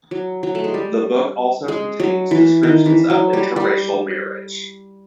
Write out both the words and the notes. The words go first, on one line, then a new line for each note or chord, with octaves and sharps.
The book also contains descriptions of interracial marriage.
F#3
F#3
A3
G#3
G3
G#3
F#3
E3
D#3
E3
F#3
G3
G3